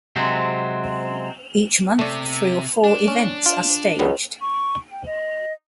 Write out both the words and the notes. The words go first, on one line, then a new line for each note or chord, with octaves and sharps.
Each month, three or four events are staged.
C3 F#3 G#3 C4
C3 A3 D5
D4
C#4
F4
C#2 D#3 G3 B3
C#6
G5
D#5